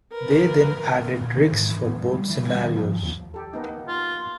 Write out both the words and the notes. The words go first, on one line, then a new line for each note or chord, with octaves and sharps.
They then added rigs for both scenarios.
A#4 B4
A#2
D#3
G#2
E3
B3
G2
G3
E3
G3
D#3
F3
D#2
G4 A4
A#3 B3 D#4
F4